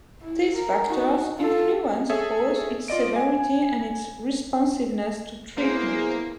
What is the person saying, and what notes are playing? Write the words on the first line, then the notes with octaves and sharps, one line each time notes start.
These factors influence both its severity and its responsiveness to treatment.
E4
A#4
D#4 F#4
F4 A4
G#4 A4 C#5 E5
F4 D5 D#5 D7
G#5
A#3 B3 E4 G#4 C5